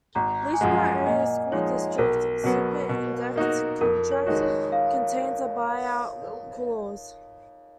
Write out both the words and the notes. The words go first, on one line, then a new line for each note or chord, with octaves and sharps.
Leechburgh Area School district superintendeet contract contains a buyout clause.
G#1 A#5
G#5
F#2 F3 G#3 F#5
A#2 D#5
F3 G#3 D#4 C#5
B1 A#4
B2 F#3 B3
B2
A#3 D#4 F#4
F2 A#4
C#5
D#3 G#3 D#4 F#4
C#5
F5